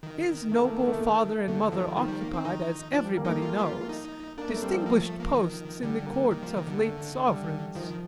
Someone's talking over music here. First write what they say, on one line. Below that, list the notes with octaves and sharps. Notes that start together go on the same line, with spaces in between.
His noble father and mother occupied, as everybody knows, distinguished posts in the Courts of late Sovereigns.
D#3
A3
A#3
A#3
A3
A3
D3 A3
D#3 F3
D#3 F3
G3
A#3
C4
D#3 D#4
F3 D4
G3
A#3
A3 D#4
F4
G4
F4
D#4
A#3 D4
A3
G3 C4
F3
A#3
A3
A#3
D#3
D3 G3
A#3
D#3
F3
D#3
D3
A3
G3
D#3 F3